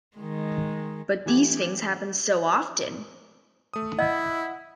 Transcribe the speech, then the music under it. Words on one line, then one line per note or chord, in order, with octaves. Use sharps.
But these things happen so often!
D#3 G#3
E3 A3 B3 G4 G#6
A3 D#6
E4 D#5 F#5